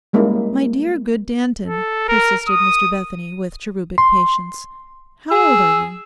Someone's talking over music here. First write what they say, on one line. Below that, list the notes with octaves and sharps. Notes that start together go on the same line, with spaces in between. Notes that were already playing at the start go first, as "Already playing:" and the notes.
'My dear good Danton,' persisted Mr Bethany with cherubic patience, 'how old are you?'
G3 G#3 A#3 C#4 D#4 E4
A4
A#4
D#6
C6
G#4 E6